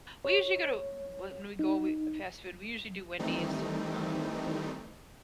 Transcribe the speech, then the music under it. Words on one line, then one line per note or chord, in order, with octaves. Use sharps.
we usually go to w when we go we fast food, we usually do Wendy's. Um,
C#5
D#4
D#3 E3 G3 A3 C4 D#4